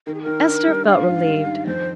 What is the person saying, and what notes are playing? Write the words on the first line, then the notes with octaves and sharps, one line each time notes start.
Esther felt relieved.
D#3 A#4
G#4
D#3 A#4
D4
G3
D4 F5
G#2
G3
D#3
F2 C5